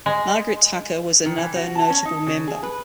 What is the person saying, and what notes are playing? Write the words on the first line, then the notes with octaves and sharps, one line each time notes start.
Margaret Tucker was another notable member.
G#3
D#3
E3
F#4
A5
C#4
D#4
C#3
G#4
B4